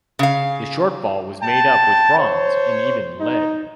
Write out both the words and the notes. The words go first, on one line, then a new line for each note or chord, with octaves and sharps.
The shortfall was made up with bronze and even lead.
C#3 F5
G5 A5
C5 C#5
D#4